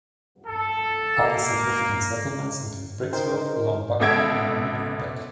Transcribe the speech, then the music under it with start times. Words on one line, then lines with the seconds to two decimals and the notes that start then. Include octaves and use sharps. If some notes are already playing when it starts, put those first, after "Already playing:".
Other significant settlements include Brixworth, Long Buckby and Weedon Bec.
0.47 A4
1.19 A#3
3.13 D#4 A#4 C5 G5
4.00 G#1 B2 A4 E5 G#6 D7